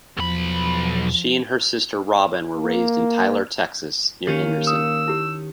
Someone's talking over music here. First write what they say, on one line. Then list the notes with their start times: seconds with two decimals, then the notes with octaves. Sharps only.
She and her sister Robyn were raised in Tyler, Texas, near Henderson.
0.18 B1 E2 F3 B5
2.57 A#3
4.27 D#3 A#3 C#4 G4
4.67 D#6 E6
5.08 E4 G4